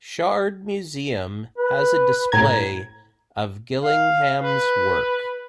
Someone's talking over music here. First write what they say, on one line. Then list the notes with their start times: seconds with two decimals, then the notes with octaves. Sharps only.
Chard Museum has a display of Gillingham's work.
1.58 B4
2.32 A2 A#5 G#6
3.82 F5
4.39 B4